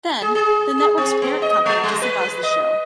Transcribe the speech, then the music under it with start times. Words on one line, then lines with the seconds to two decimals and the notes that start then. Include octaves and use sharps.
Then, the network's parent company disavows the show.
0.22 G#4
0.35 G#4
0.78 G#4
0.98 C4
1.22 B3
1.42 D#5
1.66 G#3
1.83 G3
2.02 B4
2.22 B4
2.43 D#5